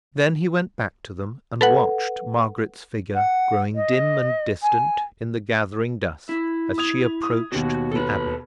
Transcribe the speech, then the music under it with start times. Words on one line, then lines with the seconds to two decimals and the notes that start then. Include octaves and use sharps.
Then he went back to them, and watched Margaret's figure growing dim and distant in the gathering dusk as she approached the Abbey.
1.61 A4 B4 F#5
3.14 F#5
3.75 D#5
4.63 G#5
6.29 E4
6.78 D#6 G#6 F7
7.23 D#6
7.52 D#2 B2 F#4
7.91 A4 B4